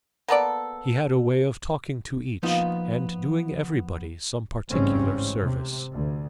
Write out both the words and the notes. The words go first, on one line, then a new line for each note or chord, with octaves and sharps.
He had a way of talking to each and doing everybody some particular service.
A#3 B3 A4 D5
F3 A#3 B3 D#4 F4
A1 G#2 C#3 G3 C4 C#4
C3
D2